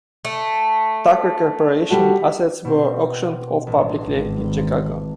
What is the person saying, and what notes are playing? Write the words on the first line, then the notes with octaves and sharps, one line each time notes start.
Tucker Corporation assets were auctioned off publicly in Chicago.
A3
G3 F#4 A4
B2 C4
A1
G#1